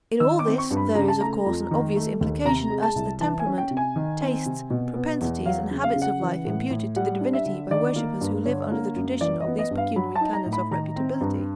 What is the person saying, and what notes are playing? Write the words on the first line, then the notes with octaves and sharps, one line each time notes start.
In all this there is of course an obvious implication as to the temperament, tastes, propensities, and habits of life imputed to the divinity by worshippers who live under the tradition of these pecuniary canons of reputability.
D#3 E6
D6
C4
C#6
G2
B5
C#3 A#5
A5
A3 A#5
F2
D#3
A3
D#2
C3 A#5
G#3
A5
C2
E3 A5
G#5
C#4
G5
C3
G#5
D#3
C4
C3
B2
B3
E2
F#3 F5
C#3
F5
C#3
F#5
E3
A2
A2
G3 F#5
D4
E5
D3
D#3 D5
A#3
G2
D3 C#5
A#3
F#2
E3 D5
D#5
B3
D#5
G2
F5
F#3 B5
A5
D#4
A#5
A2
B5
D#3 A#5
C4
G2